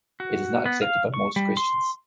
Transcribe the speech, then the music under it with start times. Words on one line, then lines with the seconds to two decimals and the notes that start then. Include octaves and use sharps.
It is not accepted by most Christians.
0.20 F#4
0.66 B3
0.82 F5
1.14 C#6
1.36 G3
1.57 C6